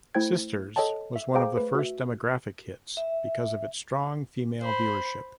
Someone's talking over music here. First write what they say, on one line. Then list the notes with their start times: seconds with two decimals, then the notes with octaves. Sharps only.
"Sisters" was one of the first 'demographic' hits because of its strong female viewership.
0.15 A3 E4 C5 G5 G#6
0.76 A4 C#5 D#5 G5 A5
1.16 E5
1.34 G#4 C5 F5 G5 A#5 D6
1.57 A3 B4
1.75 F#4 E5
2.97 E5
4.61 C5 B5